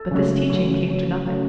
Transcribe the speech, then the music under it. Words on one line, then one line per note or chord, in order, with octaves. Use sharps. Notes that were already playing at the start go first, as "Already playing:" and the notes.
But this teaching came to nothing.
Already playing: A4
C#3 F#3 A3 C#4
C#3 F#3 A3 C#4
C#3 F#3 A3 C#4
C#3 F#3 A3 C#4